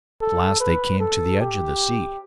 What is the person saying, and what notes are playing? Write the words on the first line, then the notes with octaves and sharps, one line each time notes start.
At last they came to the edge of the sea.
A4
B4
A4
G4